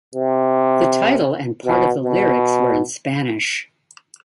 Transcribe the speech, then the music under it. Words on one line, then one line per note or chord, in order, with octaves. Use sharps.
The title and part of the lyrics were in Spanish.
C3
B2
B2